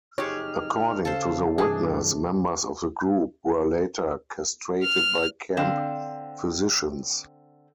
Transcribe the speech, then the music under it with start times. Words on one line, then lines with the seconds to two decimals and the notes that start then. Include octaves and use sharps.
According to the witness, members of the group were later castrated by camp physicians.
0.18 F#1 F2 D#4 G4 G#4 C#5 F6
1.05 C#3 A4 C5 F5
1.58 G2 C3 E3 A3 D4 G#4
4.84 F6
5.57 D3 C4 F5